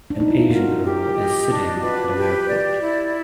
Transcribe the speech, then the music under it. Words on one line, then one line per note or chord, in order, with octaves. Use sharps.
An Asian girl is sitting at an airport.
D4
D#4
E4
F4
F#4 A#4
G4
D#5
D4
F#4
F4 B4
G4
D5
E4